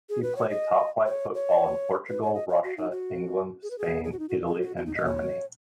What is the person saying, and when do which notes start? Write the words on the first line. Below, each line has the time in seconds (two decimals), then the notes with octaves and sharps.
He played top flight football in Portugal, Russia, England, Spain, Italy and Germany.
0.09 G#4
0.23 B4
0.36 C#5
0.50 D#5
1.06 C#5
1.35 C#5
2.09 B4
2.22 C#5
2.35 D#5
2.49 C#5
2.64 F#4
2.77 D#4
2.92 F#4
3.63 G#4
3.71 B4
3.78 G#4
4.04 G#4
4.12 F#4
4.19 D#4
4.29 F#4
4.48 G#4
4.62 F#4
4.77 F#4
4.86 D#4
4.96 D#5
5.05 C#5